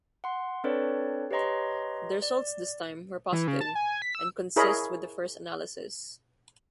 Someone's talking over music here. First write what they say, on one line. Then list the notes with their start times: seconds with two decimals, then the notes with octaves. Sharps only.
The results this time were positive and consist with the first analysis.
0.24 F#5 C6
0.64 C4 D4 A4 B4 C#5 D5
1.31 G4 B4 C#5 D#5 A#5 C6
2.22 D5
3.32 E3
3.48 C#3
3.61 A5
3.75 G#5
4.02 B6
4.15 E6
4.56 E4 G#4 A#4 C#5 D#5 B5